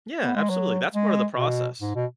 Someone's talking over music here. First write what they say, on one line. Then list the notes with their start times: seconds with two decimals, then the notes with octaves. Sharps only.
Yeah, absolutely, that's part of the process.
0.23 B3
0.36 G#3
0.49 F#3
0.94 G#3
1.37 B2
1.81 G#2
1.95 B2